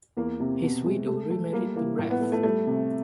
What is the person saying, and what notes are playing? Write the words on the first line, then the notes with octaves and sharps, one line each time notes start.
His widow remarried to Rev.
E2 A#3
C3
B2
G#3
A3
A3
G3 A#3
E3 A#3
A2 A#3
B3
A3
A3
G3 A3
C3